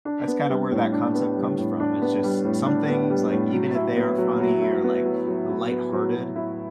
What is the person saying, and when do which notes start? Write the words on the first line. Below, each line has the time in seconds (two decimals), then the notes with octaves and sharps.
that's kinda where that concept comes from. It's just some things, like even if they are funny or, like, lighthearted,
0.05 D4
0.28 B3
0.49 G3
0.71 A2
0.92 D4
1.14 B3
1.36 G3
1.58 A2
1.80 D4
2.02 B3
2.23 G3
2.45 A2
2.66 D4
2.89 B3
3.10 G3
3.31 A2
3.53 F#3
3.75 E4
3.97 B3
4.18 F#3
4.40 F#3
4.62 E4
4.84 B3
5.05 F#3
5.27 F#3
5.50 E4
5.71 B3
5.92 F#3
6.15 F#3
6.36 E4